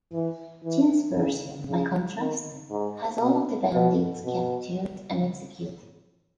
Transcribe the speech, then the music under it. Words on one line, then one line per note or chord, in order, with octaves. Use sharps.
Jin's version, by contrast, has all of the bandits captured and executed.
E3
E3
C#3
C#3
D#3
G#2
B2
B2
B2